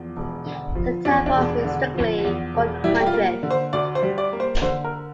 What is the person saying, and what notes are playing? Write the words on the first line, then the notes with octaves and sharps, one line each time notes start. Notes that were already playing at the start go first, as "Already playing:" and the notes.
"Centavo" means, strictly, "one-hundredth".
Already playing: E2 F3
E1
D3
F3
E2 D4
D4
E1
D3
F3
E2
E1
G3 E4
G4
F4
A#3
D3
C5
D2 D5
C5
G3
D5
A#3
C5
D3 C5
A#4